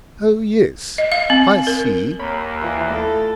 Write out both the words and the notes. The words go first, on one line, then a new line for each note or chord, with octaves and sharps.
"Oh, yes, I see."
D#5
F5
C4
A#4
D#2 A#4 C#5 B5
E3 F4 B4 D5
A3 E4 F4 A4